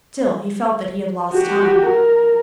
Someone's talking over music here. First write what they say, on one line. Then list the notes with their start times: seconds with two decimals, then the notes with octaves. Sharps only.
Still, he felt that he had lost time.
1.33 F#4 G4
1.87 A#4